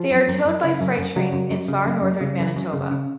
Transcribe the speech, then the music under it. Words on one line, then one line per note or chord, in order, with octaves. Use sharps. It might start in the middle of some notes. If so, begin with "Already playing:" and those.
They are towed by freight trains in far northern Manitoba.
Already playing: F3
F#2
F#2
F#2
C#3
F#2
F#2
C#3 F#3
F#2
F#2
C#3
F#2
F#2
C#3
F#2
F#2
C#3
C#3